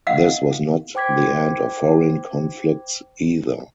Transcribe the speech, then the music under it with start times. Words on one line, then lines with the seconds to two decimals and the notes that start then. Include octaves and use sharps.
This was not the end of foreign conflicts either.
0.07 D#5 F5 F#5
0.95 C5 G5 D6 G#6 B6